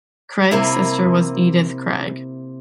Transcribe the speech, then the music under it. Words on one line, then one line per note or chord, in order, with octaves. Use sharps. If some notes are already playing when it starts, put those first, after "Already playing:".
Craig's sister was Edith Craig.
C3 A#3 E4